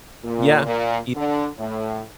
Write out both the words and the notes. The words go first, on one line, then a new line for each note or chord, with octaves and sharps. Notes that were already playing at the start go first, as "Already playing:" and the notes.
Yeah, you
A#2
A#2
D3
A2